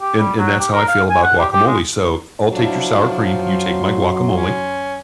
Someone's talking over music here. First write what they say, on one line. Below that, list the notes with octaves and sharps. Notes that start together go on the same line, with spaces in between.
And and that's how I feel about guacamole. So, I'll take your sour cream, you take my guacamole,
G4
G3
F#3
G4
A#4
F5
G#5
F#5
G4
G4
G#3
F3 F#3 D4 E4
F#2 C6
C#4